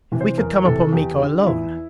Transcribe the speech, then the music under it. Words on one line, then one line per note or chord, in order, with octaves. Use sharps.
If we could come upon Miko alone!
C3 E3
C5
E2 A#4
C3 E3 A4
E2 G4
D3
F4
E2 E4